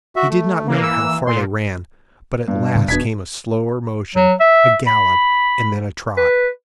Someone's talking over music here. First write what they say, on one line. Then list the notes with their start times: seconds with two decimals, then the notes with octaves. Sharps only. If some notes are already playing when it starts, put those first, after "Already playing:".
He did not note how far they ran; but at last came a slower motion, a gallop, and then a trot.
0.16 F#4 E5
0.29 A3
0.67 E3 A#3
0.83 E6
1.27 A#2 C6
2.48 G2 B2
2.75 A2 C#3
2.88 E1 B2 D4 G#6 B6
4.15 F#3
4.40 E5
4.87 B5
6.18 B4